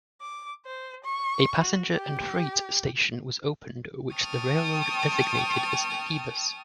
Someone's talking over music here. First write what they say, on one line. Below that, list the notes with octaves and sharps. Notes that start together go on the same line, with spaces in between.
A passenger and freight station was opened, which the railroad designated as "Phoebus".
D6
C5
C#6
F#4
G4
G5 A5 C#6 D#6 F6